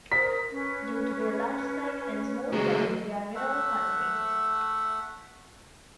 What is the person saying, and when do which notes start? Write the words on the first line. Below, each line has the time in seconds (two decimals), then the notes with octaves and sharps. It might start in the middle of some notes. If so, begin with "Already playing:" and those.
Due to their large size and small flowers, they are rarely cultivated.
0.12 A#4 C5 D#6 B6
0.51 C#4 B4
2.53 F#3 G#3
3.35 A3 E5 F#5